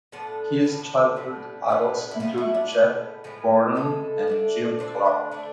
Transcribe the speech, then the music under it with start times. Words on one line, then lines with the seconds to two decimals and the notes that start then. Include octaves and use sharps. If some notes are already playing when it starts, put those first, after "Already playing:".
His childhood idols include Jeff Gordon and Jim Clark.
0.12 A2 F3 B3 D4 A4
0.65 A2 F3 B3 D4
1.16 A2 F3 B3 D4
1.69 A2 F3 B3 D4
2.11 E4
2.20 A2 F3 G#3 B3 F4
2.38 E4
2.54 D4
2.72 A2 F3 G#3 B3
3.24 A2 F3 G#3 B3
3.75 A2 F3 G#3 A4
4.27 D3 A3 D4
4.79 D3 A3 D4 C5
5.31 D3 A3 D4